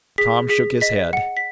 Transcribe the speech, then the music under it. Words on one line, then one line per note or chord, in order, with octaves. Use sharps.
Tom shook his head.
G#4 B6
G#4 B6
D#5 B6
F#5 C#7
B6